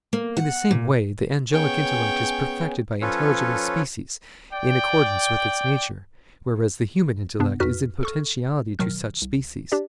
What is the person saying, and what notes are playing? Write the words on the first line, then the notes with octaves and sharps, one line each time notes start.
In the same way the angelic intellect is perfected by intelligible species, in accordance with its nature; whereas the human intellect is in potentiality to such species.
A#3
F#5
A#2
B3 C#4 G#4 C#5 G5
F3 C#4 F4 A4 B4 C#5
D5 G5
G2 C3 B3 D4
F2 D#4 F#4 B4 F6 B6
A4 C#6 F6
B2 D#3 F#3 F6
C2
D4 G4 D5